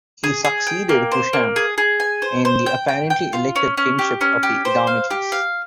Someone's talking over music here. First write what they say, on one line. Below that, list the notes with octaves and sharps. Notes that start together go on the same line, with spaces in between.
He succeeded Husham in the apparently elective kingship of the Edomites.
G#4
G#4
G5
A#3
C5
A#3
G#4
G#4
G#5
C5
C5
G5
G5
G5
F4
C#4
C#4
G4
C#4
G4
C5
F5
G4
F5